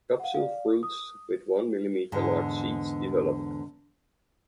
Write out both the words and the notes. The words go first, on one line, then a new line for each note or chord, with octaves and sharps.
Capsule fruits with one millimeter large seeds develop.
F5 F#5
D5 F5
D#6
E2 G#2 D3